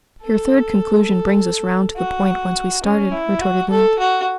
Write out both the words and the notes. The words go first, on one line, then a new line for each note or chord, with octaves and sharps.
"Your third conclusion brings us round to the point whence we started," retorted Link.
A4
F#4
C#4
E4
F#4
A4
F#4